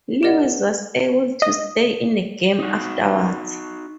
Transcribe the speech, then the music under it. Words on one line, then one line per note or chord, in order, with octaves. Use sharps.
Lewis was able to stay in the game afterwards.
G4 A#4 D5 D#5 F#5
D#5
D#4 F#4